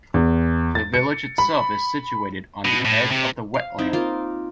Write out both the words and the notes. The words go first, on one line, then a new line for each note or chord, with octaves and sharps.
The village itself is situated on the edge of the wetland.
E2
A6
C#7
B5
B2
A2
C3
F5
C4 D#4 E4
A#3 F4 A#4